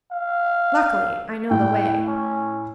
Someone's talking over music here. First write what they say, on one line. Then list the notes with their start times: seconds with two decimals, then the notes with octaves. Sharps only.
Luckily, I know the way.'
0.12 F5
1.51 A2 G5
2.08 C#4